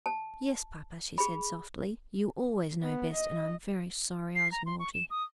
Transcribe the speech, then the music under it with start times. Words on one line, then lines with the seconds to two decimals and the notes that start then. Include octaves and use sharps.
"Yes, papa," she said softly; "you always know best, and I am very sorry I was naughty."
0.06 A5
1.18 G#4 B5
2.82 B3
3.14 D#5
4.36 C7
4.52 A#5
4.66 C6
4.79 C#6
4.94 E7
5.10 D#6